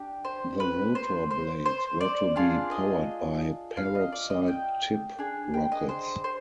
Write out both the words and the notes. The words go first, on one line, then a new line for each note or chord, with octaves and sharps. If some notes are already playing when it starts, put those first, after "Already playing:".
The rotor blades were to be powered by peroxide tip rockets.
Already playing: D4 G4
C5
B4
C5
C5
C5
D5
D4 F4 G#4
D#5
F5
D#5
D5
D#5
G5
D4 G#4
G5
D#5
C5
C5